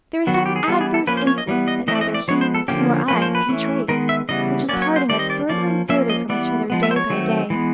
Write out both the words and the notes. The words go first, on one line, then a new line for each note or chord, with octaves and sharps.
There is some adverse influence that neither he nor I can trace which is parting us further and further from each other day by day.
D#3 F#3 B3
F#4
G4
G#4
E3 G3 B3 A4
G#4
A4
F3 A#3 C#4 B4
C5
C#5
D#5
E3 G3 B3
D#5
E3 A3 C4 D#5
D5
D#5
D5
F3 G#3 B3 C#5
C5
A4
D3 F3 A#3 C#4 G4
F3 A#3 C#4 B4
C5
B4
E3 A3 C#4
D#3 G#3 B3 A#4
E5
C#3 E3 G3 B3 D#5
F#3 A#3 C#4 D5
C#5
C5
D#3 G3 C4 D5
D#5
D5
F3 A#3 C#4 D5
F3 A#3 C#4 E5
D#5
E3 G3 B3 D5
F3 G#3 B3
E5
C5
C#5
D#3 F#3 A3 C4
E3 G#3 B3